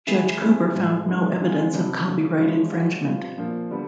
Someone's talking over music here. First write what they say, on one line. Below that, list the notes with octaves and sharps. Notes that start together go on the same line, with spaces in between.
Judge Cooper found no evidence of copyright infringement.
E3 G#3 B3 E4 G#4
G3 C4 E4 G#4
A2 F3 G#3
E3 G#3 C#4
D#3 G#3 C4 F4 G#4
C3 D#3 F#3 B3 D4
C#3 F#3 A3 C#4
F3 G#3 C#4 E4
F3 G#3 C#4 F#4
B2 G3 C4 F4
A#2 F3 A#3
D3 G3 B3